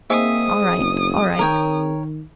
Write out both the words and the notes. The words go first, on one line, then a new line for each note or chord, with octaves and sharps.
"All right, all right...."
A#3 C4 D#4 G#4 E5 F5 D#6
F#1
D#3 A#4 C#5 G5